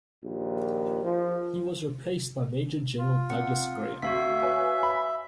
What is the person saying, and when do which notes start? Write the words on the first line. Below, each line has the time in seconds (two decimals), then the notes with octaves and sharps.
He was replaced by Major-General Douglas Graham.
0.24 A#1 D#2
1.04 F3
2.98 F4
3.30 C3 F#5
4.02 D2 F#4 E5 F5 B6
4.42 B4 C#5 G#5
4.83 B5